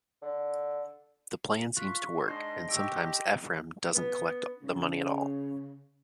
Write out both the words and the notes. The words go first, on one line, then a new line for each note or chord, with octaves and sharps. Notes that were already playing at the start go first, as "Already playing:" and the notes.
The plan seems to work, and sometimes Ephram doesn't collect the money at all.
D3
F4 C#6 F#6 B6
G#2 D4 D#5 C6 C7
G4 C#6 E6 D7
B3
C#3